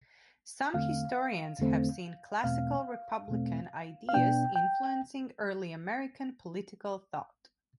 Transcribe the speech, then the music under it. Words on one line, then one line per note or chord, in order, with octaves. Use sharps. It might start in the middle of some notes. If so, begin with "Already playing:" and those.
Some historians have seen classical republican ideas influencing early American political thought.
E2 D3 A3 C4 F5
E2 D3 A3 C4
E2 B2 A3 C4 F5
E2 B2 A3 C4
F5
B2 B3 D4 G5
G5